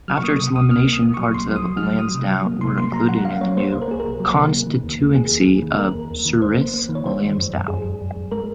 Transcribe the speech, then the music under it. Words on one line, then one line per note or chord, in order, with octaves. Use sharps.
After its elimination, parts of Lansdowne were included in the new constituency of Souris-Lansdowne.
F#3 F6
C#6
A#3 D#6
C3 D#6
C#2 D#6
C3 F6
A#3
D#6
A#3
F#3 C#6
C#2 C6
F#3 D#6
F#3
F#3 F6
F#3 D#6
C3
F#3
A#3
C3 C6
A#3 C6
F#3 A#5
F#3 F#5
F#3 F5
A#3 C#5
A#3 C5
C2 C5
A#4
A#3 G#4
C2 A#4
F#3
C3
A#3
D#3
D#2
D#2
A#3 G#4
D#2
D#2
D#3
A#3 A#4
D#2
D#2
D#3
D#2 C5
A#3
A#3
D#3
C#5
D#3 C5
G#3
F#2
F#2
F#2 G#4
F#2
F#2
F#2
G#3 A#4